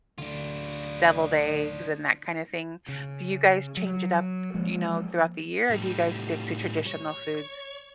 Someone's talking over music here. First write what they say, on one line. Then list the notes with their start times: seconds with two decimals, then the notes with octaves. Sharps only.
deviled eggs and that kind of thing. Do you guys change it up, you know, throughout the year, or do you guys stick to traditional foods?
0.18 D2 D4 F4
2.88 C#3
3.77 F#3
4.54 F3 G#3 A#3
5.70 A2 G3
6.87 C#5